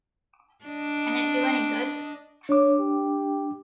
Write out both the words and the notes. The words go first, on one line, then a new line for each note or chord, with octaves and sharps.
Can it do any good?
D4 D#5
D4 C#5 D6
G4